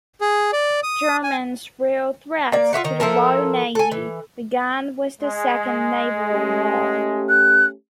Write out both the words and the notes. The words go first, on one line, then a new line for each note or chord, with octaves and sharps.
Germany's real threat to the Royal Navy began with the Second Naval Law.
G#4
D5
D#6
G#5
A#3 D5
F4 G4 E5 F#5
D#3 A#5
F3 E4 A4 A#4
A4 G#5
E3
G#3
A3 C#4 G4
F#6